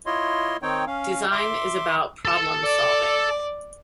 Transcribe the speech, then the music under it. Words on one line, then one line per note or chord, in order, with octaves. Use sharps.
Design is about problem solving.
E4 F4 C#5 D#5 C6
D#3 C4 D#4 C#5 G5
C#4 F5
E5 C6 D6
A4 A5
D5